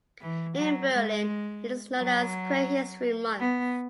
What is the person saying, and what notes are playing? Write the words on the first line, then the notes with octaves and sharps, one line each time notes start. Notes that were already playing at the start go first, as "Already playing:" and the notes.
In Berlin, It is known as Queer History Month.
E3
F#3
G#3
F#3
B3